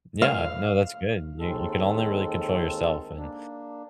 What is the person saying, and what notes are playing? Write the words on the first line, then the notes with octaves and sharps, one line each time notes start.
Yeah, no, that's good. You you can only really control yourself and
F5
D#2 D#3 G#3 C4 A4
A#3 D4